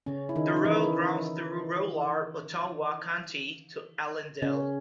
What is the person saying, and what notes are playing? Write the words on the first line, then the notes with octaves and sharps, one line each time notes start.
The road runs through rural Ottawa County to Allendale.
C#3 C#4
E4
D#3 D#4
D#4
E3 E4
C#3 C#4